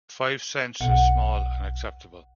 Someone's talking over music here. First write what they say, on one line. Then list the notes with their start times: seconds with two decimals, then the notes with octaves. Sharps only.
Five cents is small and acceptable.
0.81 B1 F#5